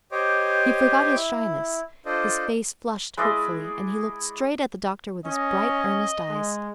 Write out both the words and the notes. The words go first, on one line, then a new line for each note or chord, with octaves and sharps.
He forgot his shyness; his face flushed hopefully, and he looked straight at the doctor with his bright, earnest eyes.
G4 C5 C#5 D#5 D6
E4
D4 F4 A4 C5 D5 D#5
G#3 E4 D5 D#5
C#4 D#5
G#3